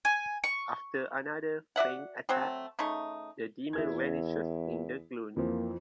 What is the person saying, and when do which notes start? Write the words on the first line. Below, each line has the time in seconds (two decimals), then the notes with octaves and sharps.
After another feigned attack, the demon vanishes in the gloom.
0.05 G#5
0.44 C#6
1.76 F#4 D5 E5 F#5
2.29 F#3 A3 C4 F#4
2.79 C#3 A3 D#4 C#6
3.73 E2 E4 G#4 G#6
5.36 F2 E3 F3 A#3